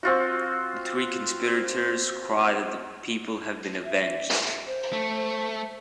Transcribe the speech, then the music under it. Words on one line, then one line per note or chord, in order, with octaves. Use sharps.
The three conspirators cry that the people have been avenged.
C4 F4 F#4
E5
C5
A3